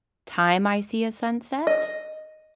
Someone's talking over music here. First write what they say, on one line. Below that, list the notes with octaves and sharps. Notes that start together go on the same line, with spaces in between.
time I see a sunset.
D#5